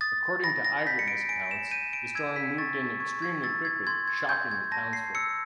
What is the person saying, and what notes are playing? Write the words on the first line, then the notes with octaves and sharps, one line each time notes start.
According to eyewitness accounts, the storm moved in extremely quickly, shocking the townsfolk.
D#6 A6
B5 A#6
A#6
G6 B6
C#7
D7
G#5 D7
E7
G6 D#7
D7
E6 G#6
B6
C#6 A6
C#6 G#6
G#6
E6 A6
G#6
C6 G#6
G#6
G6
G#6
A5 A#6
C7
E6 C#7